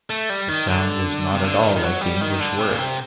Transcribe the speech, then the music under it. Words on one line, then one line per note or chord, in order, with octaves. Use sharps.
The sound was not at all like the English word.
A3
G3
D#3
D3
C3
D3
D#3
D#3
F#3
G3
D#3
D3
C3
A#2
C3